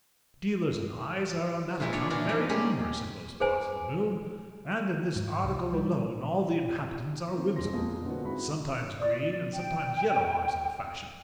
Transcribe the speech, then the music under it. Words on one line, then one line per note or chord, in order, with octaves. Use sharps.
Dealers in eyes are on that account very numerous in most parts of the moon, and in this article alone all the inhabitants are whimsical: sometimes green and sometimes yellow eyes are the fashion.
A#2 G#3 E4 F4
D4 G#4 C#5 D5
E3 A#3 D4 F4 F#4
F#2 D#3 F3
F#3 G3 C#4 F4 G4 G#4
G#4 B4 C5 G#5
G#2
C2
G3
A#3 C4
F#1 G2 C6 A#6
F2 A#2 G#3 A#3 F4 D#6
D3 E3 B3 C4 F4 F#4
G#1 C#3 E4 F#4 B5
D5
G5